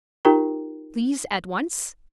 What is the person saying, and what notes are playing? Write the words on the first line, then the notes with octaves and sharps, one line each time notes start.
Please, at once?'
D#4 F4 G4 A#4 G5 A#5